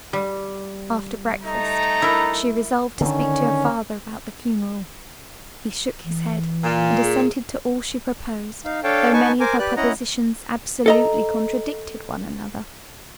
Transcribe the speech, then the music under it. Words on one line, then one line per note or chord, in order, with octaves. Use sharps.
After breakfast, she resolved to speak to her father, about the funeral. He shook his head, and assented to all she proposed, though many of her propositions absolutely contradicted one another.
G3
A3 D#4 A#5
E4 A#4
D3 D#3 C#4
E3
A#2
G#4
D#4 F5
D4 A4 C#5 F5 G5 A5
D#4 B4 G#5 A5 C#6
A#4 C5 G#5 D6
G4 B4 D5 F#6
C#4 E4 D#5 F#5 A#5
A4 D#5 A#5